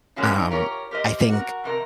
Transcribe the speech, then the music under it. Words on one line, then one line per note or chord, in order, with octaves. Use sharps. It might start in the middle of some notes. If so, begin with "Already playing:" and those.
um, I think
C#3 F3 F#3 G#3 A#3 C#4
D#4
F4 G4 A#4 C#5
G4 A#4 C5 D#5
F#4 A#4
F2 C3 A#4